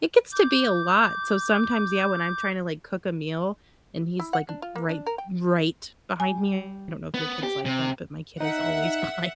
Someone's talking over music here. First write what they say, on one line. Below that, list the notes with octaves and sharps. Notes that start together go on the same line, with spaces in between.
it gets to be a lot, so sometimes, yeah, when I'm tryna, like, cook a meal and he's, like, right right behind me I don't know if your kid's like that, but my kid is always behind
D6 G6
E4
F#5
D4
F4
A#3
D4
A#4
G5
G3 G#5
B3
G4
C3
D#4 E5 F#5